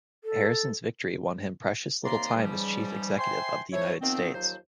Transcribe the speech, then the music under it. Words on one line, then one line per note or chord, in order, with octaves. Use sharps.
Harrison's victory won him precious little time as chief executive of the United States.
A4
D#2 C3 A#3 D5 A#5 C6
G#2 C#3 E3 F3 G3
C5 E5 G5 G#5 C6
E4 A4 C5 C#5
D#3 F3 B3 C4
D#2 F3 F#3 C5